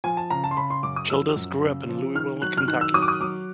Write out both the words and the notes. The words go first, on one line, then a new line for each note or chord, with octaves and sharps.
Childers grew up in Louisville, Kentucky.
F3 G#5
A5
C#3 A#5
A5
C6
C#3 B5
C6
F#2 D6
D#6
F3 E6
F#2
C#3
F3
D#3 F6
F#3 F#6
F6
D#3 F#6
E6
F#3 D#6
D6
D#6
F#3 D6